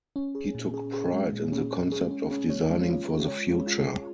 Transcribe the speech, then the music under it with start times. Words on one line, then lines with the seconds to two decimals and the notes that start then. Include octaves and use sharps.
He took pride in the concept of designing for the future.
0.16 C#4
0.35 G#4
0.55 A#2
0.74 G#4
0.94 G#4
1.13 G#3
1.33 A#2
1.52 C#4
1.71 C#4
1.92 G#4
2.11 C#4
2.31 C#4
2.50 C#5
2.69 G#3
2.89 F4
3.08 G#4
3.28 C#5
3.47 G#3
3.67 F4
3.86 G#4